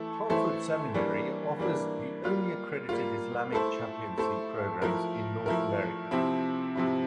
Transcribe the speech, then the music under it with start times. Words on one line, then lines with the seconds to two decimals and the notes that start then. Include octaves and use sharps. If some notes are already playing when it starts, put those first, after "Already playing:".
Hartford Seminary offers the only accredited Islamic chaplaincy programs in North America.
Already playing: E3 A3 E4 A4
0.30 E3 A3 E4 A4 C5
0.94 E3 G3 A#3 D4
1.59 E3 G3 A#3 D4
2.24 G3 A#3 F4
2.89 G3 A#3 F4
3.52 A3 E4 A4 C5
4.18 A3 E4 A4 C5
4.82 F3 A3 E4 A#4
5.46 F3 A3 E4 A#4
6.11 C3 F3 C4 E4
6.76 C3 F3 C4 E4